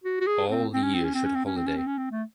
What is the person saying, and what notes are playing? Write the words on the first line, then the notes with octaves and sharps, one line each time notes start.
All year should holiday.
F#4
F#4
G#4
C4
C4
C#4
C4
C#4
C4
C#4
C4
C#4
C4
C#4
C4
C#4
C4
A3